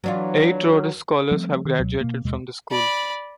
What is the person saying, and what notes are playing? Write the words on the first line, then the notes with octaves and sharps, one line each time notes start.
Eight Rhodes Scholars have graduated from the school.
E3 F#3 D4 F4
F3 G3 A3 C4
D#3
C#2 B2 F#3
B2 A#3
D#2 B2 G#3
D5 B5